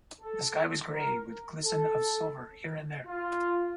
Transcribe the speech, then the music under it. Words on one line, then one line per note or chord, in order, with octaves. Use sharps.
The sky was grey, with glisten of silver here and there.
A4
A#4
A4
F4